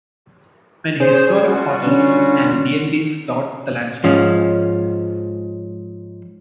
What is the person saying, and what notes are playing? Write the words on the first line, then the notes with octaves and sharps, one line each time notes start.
Many historic hotels and B and Bs dot the landscape.
C#4 G#4 C5
G3 F4 F#4
D3 C#4
G#2 F3 C#4